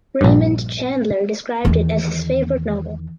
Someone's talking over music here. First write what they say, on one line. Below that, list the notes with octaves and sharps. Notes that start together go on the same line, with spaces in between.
Raymond Chandler described it as his favourite novel.
A#1 G2
E2 D#3